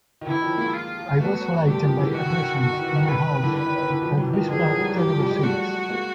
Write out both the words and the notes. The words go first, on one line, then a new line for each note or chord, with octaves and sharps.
I was frightened by a presence in my house that whispered terrible things.
D#3
D3 E3 E4
D#3 F3
G#3 A#3
F4
A3 B3 F#4
G3 A3 G4
D#3 F3
D3 E3
D#3 F#4
D3
D#3
D3 F#4
D#3
E3
D#3
D#3
D3 B4
D#3
D3 E3
D3 B4
D#3
D#3
D3 E3
D#3 F3
E3 F#3
D#3 F3
D3 E3 G#4
D#3 F3
F3 G3
E3 F#3 G4
F3 G3
F3 G3
F#3 G#3
G3 A3 F#4
G#3 A#3